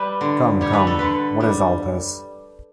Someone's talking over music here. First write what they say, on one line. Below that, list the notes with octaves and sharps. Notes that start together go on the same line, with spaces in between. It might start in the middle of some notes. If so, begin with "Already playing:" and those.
Come, come, what is all this?
Already playing: G3 B4
D3
G3 C#5
B4
A4
D3 B4
G3